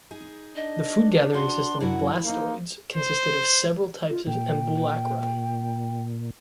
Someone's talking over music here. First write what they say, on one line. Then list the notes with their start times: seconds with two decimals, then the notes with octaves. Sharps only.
The food gathering system of blastoids consisted of several types of ambulacra.
0.11 D#4 G#4
0.56 D4 D#5
1.34 F#4 C6
1.80 F#2 F#3 E4 F#4
2.25 A#3 D#4 C5
2.93 C5
4.10 F4
4.27 A#2 G5